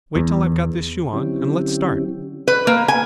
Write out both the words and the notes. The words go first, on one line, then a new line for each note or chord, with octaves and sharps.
Wait till I've got this shoe on, and let's start.
E2
D3 F#3 C4 C#4 E4 G4
B4
A#3
G#5